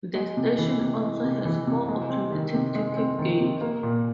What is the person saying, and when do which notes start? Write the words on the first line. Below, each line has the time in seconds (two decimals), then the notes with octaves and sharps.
The station also has four automatic ticket gates.
0.15 G#3
0.37 C3
0.59 E3
0.80 C3
1.02 G#3
1.24 C3
1.45 E3
1.67 C3
1.89 G#3
2.10 C4
2.32 D#3
2.54 C3
2.75 G#3
2.97 C4
3.19 D#3
3.40 C3
3.61 A#3
3.83 A#2